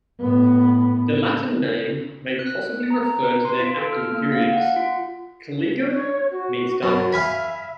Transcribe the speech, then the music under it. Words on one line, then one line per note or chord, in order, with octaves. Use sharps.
The Latin name may possibly refer to their active periods; "caligo" means darkness.
A2 B3
F#6
A#5
B4
C6
F4
A4
F6
A#3
F5
F#5
F4
C#5
F#4
F#2
E5 F5 G#5 B5